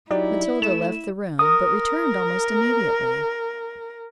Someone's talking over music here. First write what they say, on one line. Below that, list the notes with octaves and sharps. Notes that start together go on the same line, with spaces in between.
Matilda left the room, but returned almost immediately.
F#3 D#4 E4 G4 D5
A3 E7
A#4 D#6